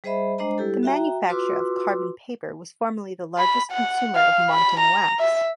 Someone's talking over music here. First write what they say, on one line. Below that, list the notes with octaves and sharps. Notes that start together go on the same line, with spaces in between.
The manufacture of carbon paper was formerly the largest consumer of montan wax.
G3 G#4 C5 D#5 E5 B5
G#3 D4 C5 D#5 A#5
G3 E4 G4 A4
F#4 E5 G5 A#5
F4 F#4 B4 C6 D6 E6
B5
F#5
F5
B5
A#5
E5